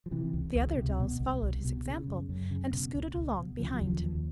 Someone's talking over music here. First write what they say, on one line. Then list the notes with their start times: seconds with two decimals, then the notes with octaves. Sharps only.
The other dolls followed his example and scooted along behind him.
0.06 F3
0.11 C3 E3
0.33 C#2
0.55 C#2
0.77 C3
0.99 B2
1.20 C2
1.43 C2
1.64 B2
1.86 C#3
2.07 F#2
2.29 F#2
2.51 C#3
2.73 B2
2.95 C#2
3.17 C#2
3.38 B2
3.59 C#3 F3
3.74 F#3
3.81 D#2
3.87 F3
4.03 D#2